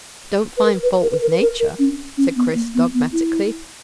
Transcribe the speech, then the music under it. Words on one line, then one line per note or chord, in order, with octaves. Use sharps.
"Don't find fault with nature," said Chris dogmatically.
B4
A#4
B4
A#4
B4
A#4
B4
A#4
A#4
C#4
C#4
B3
A#3
B3
B3
E4